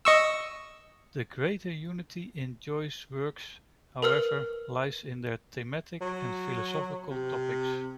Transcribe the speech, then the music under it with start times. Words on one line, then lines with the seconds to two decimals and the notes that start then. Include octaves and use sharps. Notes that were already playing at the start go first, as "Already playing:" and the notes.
The greater unity in Joyce's works, however, lies in their thematic and philosophical topics.
0.05 D#5 C#6 E6
4.02 A#4 B4 E6 F6
6.01 F#3
7.10 C3